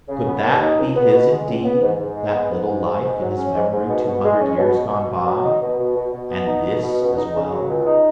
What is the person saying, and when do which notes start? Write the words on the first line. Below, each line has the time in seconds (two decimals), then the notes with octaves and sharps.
Could that be his indeed, that little life in his memory two hundred years gone by--and this as well?
0.09 C#3
0.26 B3
0.43 D#2
0.61 D#4
0.78 C#2
0.95 B3
1.12 B2
1.31 G#3
1.48 C#2
1.65 B3
1.81 G#2
1.99 G#2
2.16 G#3
2.33 B3
2.50 G#2
2.68 G#2
2.85 G#2
3.02 G#2
3.20 F#3
3.36 C#4
3.54 G#2
3.72 G#2
3.89 B2
4.05 B2
4.24 G#3
4.41 C#4
4.57 B2
4.74 B2
4.92 B2
5.09 B2
5.27 F#3
5.44 D#4
5.62 B2
5.78 B2
5.96 B2
6.13 B2
6.30 B3
6.47 D#4
6.65 B2
6.82 B2
6.99 C#2
7.16 D#4
7.34 C#3
7.50 F#3
7.68 C#2
7.86 D#4